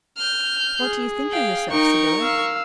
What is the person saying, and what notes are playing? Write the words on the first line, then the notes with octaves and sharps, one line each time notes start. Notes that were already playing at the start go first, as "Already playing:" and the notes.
"What do you think of yourself, Sybylla?"
F6 G6
G#4
F5 G5
D#4 A#4 G5 C#6
F5 E6